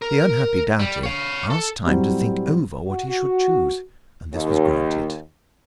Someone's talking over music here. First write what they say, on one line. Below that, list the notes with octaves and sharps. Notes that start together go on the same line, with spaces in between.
The unhappy Doughty asked time to think over what he should choose, and this was granted.
A#4
G3
C#5 F5
A4
A2 F#3 G3 C4
F#4
D#2